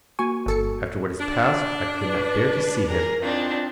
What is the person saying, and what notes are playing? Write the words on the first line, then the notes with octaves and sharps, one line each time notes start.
After what has passed, I could not bear to see him.
A#3 F#4 G#5 C#6
G1 A4 C#7
D4
B4
G#4 A#4
E3 C4 D4 D#4 F4